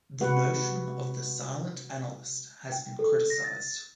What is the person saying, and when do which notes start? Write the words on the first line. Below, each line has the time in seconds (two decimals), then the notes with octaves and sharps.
The notion of the "silent analyst" has been criticized.
0.20 C3 G#3 F#4 B4 F#5
2.72 G5
2.99 A4
3.30 A#6
3.44 A6